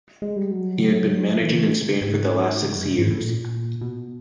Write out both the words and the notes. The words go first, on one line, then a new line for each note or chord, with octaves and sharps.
He had been managing in Spain for the last six years.
G#3
G3
F#3
E3
G#2
F#2
G2
G#2
A2
A#2
B2